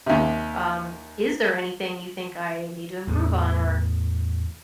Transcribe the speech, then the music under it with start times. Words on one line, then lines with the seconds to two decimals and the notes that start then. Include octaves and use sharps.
um, is there anything you think I need to improve on, or,
0.06 D#2 C3
3.07 E2 A2